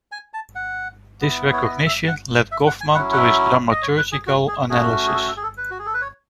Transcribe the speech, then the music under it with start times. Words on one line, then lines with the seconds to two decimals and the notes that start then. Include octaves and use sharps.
This recognition led Goffman to his dramaturgical analysis.
0.12 G#5
0.34 A5
0.55 F#5
1.21 B3 E4
1.53 C#5
1.64 D#5
1.86 E5
2.08 F#5
2.52 E5
2.67 F#5
2.81 G#5
2.95 F#3 C#4 E4 F#5
3.12 F#5
3.17 E5
3.71 D#5
3.82 C#5
3.97 B4
4.12 G#4
4.27 F#4
4.48 G#4
4.70 A3 C#4 F#4 G#4
5.07 G#4
5.14 A4
5.28 A4
5.37 G#4
5.43 A4
5.57 B4
5.70 F#4
5.79 G#4
5.86 A4
5.94 B4
6.01 C#5